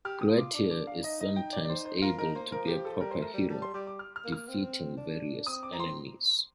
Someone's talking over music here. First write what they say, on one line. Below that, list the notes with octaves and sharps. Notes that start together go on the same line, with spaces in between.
Grettir is sometimes able to be a proper hero, defeating various enemies.
G4 F6
D#6
F4
D6
D4 D6
D6
F5
D#4 D#5
D#5
G5
D5
D5
C5
C5
F4 A#4
D#4 A#4
A#3 C5
F3 A#4
G4
A4
G3 A#4
C5
A3
A#4
G3
G3 A5
C6
G3 D6
D6
F6
F6
A#3
F6
C4
D4
C4 D#6
D6
A#5
C6